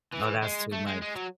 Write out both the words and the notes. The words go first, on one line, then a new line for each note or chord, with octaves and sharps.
No, that's too much
E3
G#3
A3
G#3
G#3
F#3